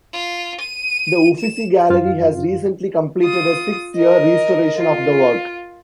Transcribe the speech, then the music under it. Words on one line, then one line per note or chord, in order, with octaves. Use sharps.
The Uffizi Gallery has recently completed a six year restoration of the work.
F4
D#7
E7
F#2 F4 F5
F4 D#6
A#4 D#5
F4